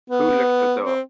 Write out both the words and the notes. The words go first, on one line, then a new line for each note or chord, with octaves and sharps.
Who locked the door?
B3
C4